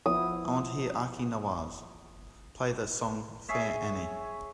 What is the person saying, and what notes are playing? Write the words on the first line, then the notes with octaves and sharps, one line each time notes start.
I want to hear Aki Nawaz, play the song fair annie.
F3 B3 E4 D#6
G#4 C#5 E5